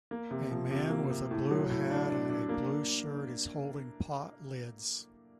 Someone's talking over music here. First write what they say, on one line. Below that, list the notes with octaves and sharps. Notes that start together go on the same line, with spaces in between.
A man with a blue hat and a blue shirt is holding pot lids.
A#3
C3
F3
C3
A#3
C3
A2
F#3
A2
D4
D4
D4
A#3